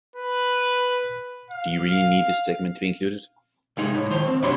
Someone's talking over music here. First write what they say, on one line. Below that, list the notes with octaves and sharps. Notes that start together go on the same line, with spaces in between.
Do you really need this segment to be included?
B4
F5
C2 G#3 D#4
A2
D#3 F3 C5 C#5
C4
F#2 C3 D4 C#5 B5 C6